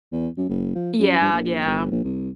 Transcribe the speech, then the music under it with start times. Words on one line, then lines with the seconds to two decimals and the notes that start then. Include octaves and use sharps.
Yeah, yeah.
0.12 E2
0.37 F#2
0.49 F#1
0.75 F3
0.99 F#2
1.21 G2
1.33 A#1
1.66 G1
1.91 A#1
2.04 C2